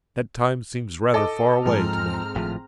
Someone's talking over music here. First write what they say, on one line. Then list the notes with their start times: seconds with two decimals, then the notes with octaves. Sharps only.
"That time seems rather far away to me."
1.14 A4 D#5 D6
1.66 G#2 F3 C4 G#4 A#5 F6
2.35 G#1 A2 F3